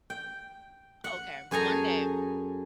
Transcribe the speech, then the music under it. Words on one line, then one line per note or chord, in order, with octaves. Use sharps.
Okay, one day,
G5
F#5
F#2 G#4 A4 G#5 A#5